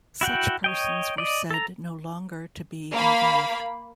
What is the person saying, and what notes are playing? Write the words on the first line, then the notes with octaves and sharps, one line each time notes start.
Such persons were said no longer to be involved.
E4 F#4 F#5 G5
C#5 D#5 G5
D5 D#5
A4 A#5
A#3 F5 B5